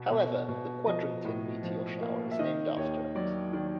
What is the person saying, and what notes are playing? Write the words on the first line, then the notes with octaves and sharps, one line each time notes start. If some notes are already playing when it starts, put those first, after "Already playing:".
However, the Quadrantid meteor shower is named after it.
Already playing: B2 B3
B2
B2
F3 D#5
A2
F3
A#3
E5
D#3 D#5
D#2 C#5
F#3 D5
D#3 D5